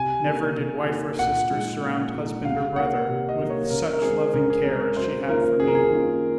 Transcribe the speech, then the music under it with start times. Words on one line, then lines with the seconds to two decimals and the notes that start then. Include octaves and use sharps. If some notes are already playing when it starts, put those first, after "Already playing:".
Never did wife or sister surround husband or brother with such loving care as she had for me.
Already playing: C3 G#5
0.25 D#3 A#3 D#4
0.56 C3
0.87 D#3 A#3 D#4
1.19 A#2 F#5
1.50 G#3 D#4
1.82 A#2
2.14 G#3 D#4
2.45 C3 F5
2.76 D#3 A#3 F#5
3.08 C3 F#5
3.29 D#5
3.39 D#3 A#3
3.50 C#5
3.70 C#3 A#4
3.93 A#4
4.02 G#3 C4 G#4
4.34 C#3 A#4
4.50 G#4
4.65 G#3 C4 A#4
4.81 A#4
4.96 F#2 C5
5.28 D#3 A#3 C#4 F4 A#4
5.59 F#2 G#4
5.68 A#4
5.75 G#4
5.91 D#3 A#3 C#4 F4